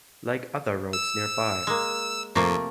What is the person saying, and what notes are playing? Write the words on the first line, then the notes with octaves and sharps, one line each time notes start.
Like other roads nearby.
E6
G#3 A#3
F2 C3 A3 A#3